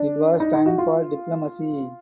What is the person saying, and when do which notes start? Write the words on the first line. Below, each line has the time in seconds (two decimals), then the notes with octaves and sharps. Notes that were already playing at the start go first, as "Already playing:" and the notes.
It was time for diplomacy.
Already playing: D4
0.40 D#4
0.54 D#4
0.66 F#4
0.78 F4